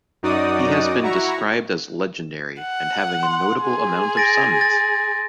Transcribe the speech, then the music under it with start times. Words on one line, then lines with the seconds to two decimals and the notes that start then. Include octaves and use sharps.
He has been described as legendary, and having a notable amount of sons.
0.23 F#2 D#4 F#4 D5 D#6
1.03 E4 F#4 A#5 C#6
2.60 F#5
3.23 C6
3.61 G#4
4.17 A6 A#6 D7
4.61 A6